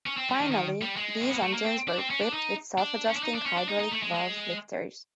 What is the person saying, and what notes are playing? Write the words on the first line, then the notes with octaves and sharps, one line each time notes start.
Finally, these engines were equipped with self-adjusting hydraulic valve lifters.
C#4
C4
G3
D#3
D#3
G3
G#3
C4
B3
A#3
A3
A#3
C4
D4
C4
C#4
D4
D#4
D4
C#4
D4
D#4
D4
C#4
D4
D#4
D#4
A3
G#3
G#3